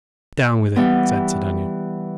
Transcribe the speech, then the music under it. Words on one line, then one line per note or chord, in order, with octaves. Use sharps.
"Down with it," said Sir Daniel.
E3 G3 B3